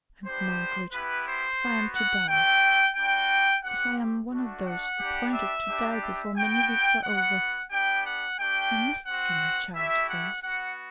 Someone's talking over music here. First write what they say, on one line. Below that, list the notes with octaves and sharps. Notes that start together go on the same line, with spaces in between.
'And, Margaret, if I am to die--if I am one of those appointed to die before many weeks are over--I must see my child first.
B3 D4 G4 C5
B3 E4 G4 B4
C5
B3 F#4
F#5
A3 C4 G4 G5
G3 D4 F#4 G5
C4 G4 F#5
A3 D4 F#4
F#5
G3 D4 G4
E5
G3 D4 G4
E5
B3 F#4 G5
B3 F#4 F#5
B3 D4 G4 G5
F#5
A3 D4 G4 G5
C4 F#4 F#5
A3 E4 G4 E5
F#5
B3 F#4 F#5